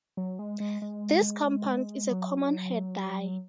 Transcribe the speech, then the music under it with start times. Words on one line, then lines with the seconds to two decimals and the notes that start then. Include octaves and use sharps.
This compound is a common hair dye.
0.17 F#3
0.39 G#3
0.60 G#3
0.82 G#3
2.11 F#3